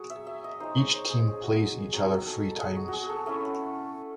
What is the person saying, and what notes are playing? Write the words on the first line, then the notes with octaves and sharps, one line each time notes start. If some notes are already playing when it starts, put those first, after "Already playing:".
Each team plays each other three times.
Already playing: F#3 F#4 G#4
E5
E5
D#5
G#3 D#4 C5
C#5
C5
G#4
G#4
F#4
G#4
F#3 C4 D#4 G#4
A4
G#4
F#4
F#4 G#4
A4
A3 C#4 E4